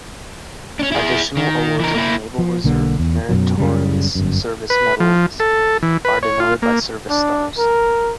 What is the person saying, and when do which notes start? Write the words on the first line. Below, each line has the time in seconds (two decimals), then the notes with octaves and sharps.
Additional awards of the Naval Reserve Meritorious Service Medal are denoted by service stars.
0.79 C#4 D4
0.92 E4 G#4
1.37 D#3
1.80 E3 A#4
1.94 A#3 E4
2.39 F3
2.64 B1 D3 A#3
2.99 E2
3.29 F#2 B2 F#3
3.58 F#2 C#3 G3
4.15 G1 F#2
4.70 B4
5.00 F3
5.40 A4
5.83 E3
6.05 B4
6.23 C#5
6.40 F4
6.62 A#3
7.10 D4
7.58 A#4